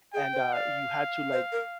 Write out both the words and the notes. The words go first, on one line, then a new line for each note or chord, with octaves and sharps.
and, uh, you had to, like,
G#4 G5
C5
D5 F5
C5
A#4